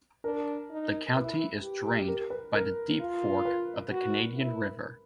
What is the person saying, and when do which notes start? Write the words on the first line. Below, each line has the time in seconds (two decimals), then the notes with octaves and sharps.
The county is drained by the Deep Fork of the Canadian River.
0.24 D4 A#4
0.71 D#4
1.16 E4 B4
1.63 G4
2.08 A#4
2.30 B4
2.54 A#4
3.00 F4
3.45 B4
3.91 F#4
4.37 E4